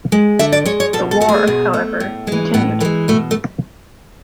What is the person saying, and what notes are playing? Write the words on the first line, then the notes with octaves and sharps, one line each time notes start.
The war, however, continued.
G#3
D3 E5
D5
G#3 C#5
C#5
B2 A4
A4
A3 F#4
G#4
B2
A3
A2
E3 G#3
A2 B3
E3 G#3 A3
B2 A3
A3